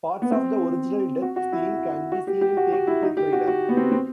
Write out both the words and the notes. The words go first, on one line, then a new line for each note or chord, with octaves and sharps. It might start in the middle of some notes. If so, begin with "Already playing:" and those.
Parts of the original death scene can be seen in theatrical trailer.
B3
C4
F#4
F#4
E4
F#4
G4
G4
F#4
F#4
E4
D#4
G4
F#4
F#4
B3
C4
C4